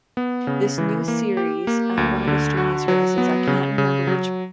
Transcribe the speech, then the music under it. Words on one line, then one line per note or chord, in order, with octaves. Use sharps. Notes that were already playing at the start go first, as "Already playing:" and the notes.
this new series on one of the streaming services, I can't remember which
B3
C#3
E3
A#3
G4
A#3
D2
D3
F#4
F#3
B3
C#3
C#3
F#3